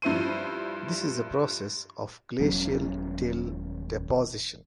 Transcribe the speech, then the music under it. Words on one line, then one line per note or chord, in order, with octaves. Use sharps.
This is the process of glacial till deposition.
G2 F3 E4 C5 C6 D#7
D#1 F#3 B3 C#4